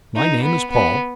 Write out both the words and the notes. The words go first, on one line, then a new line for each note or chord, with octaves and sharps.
My name is Paul.
D#4
B3
B3